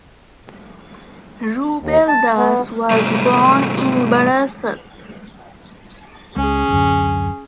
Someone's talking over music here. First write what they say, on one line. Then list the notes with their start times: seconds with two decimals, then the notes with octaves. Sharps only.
Rubel Das was born in Barasat.
1.80 D#2
2.08 A5
2.37 B3
2.91 G#2 C3 F#3 G3 A3 A#3
6.36 C#2 G#3 C#4 G#4
6.70 D1 F#2 D3